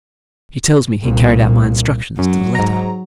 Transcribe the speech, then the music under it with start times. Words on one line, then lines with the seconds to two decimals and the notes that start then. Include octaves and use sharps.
He tells me he carried out my instructions to the letter.
1.03 C2 A#2
2.19 F#2 F#3
2.55 G#2 A#5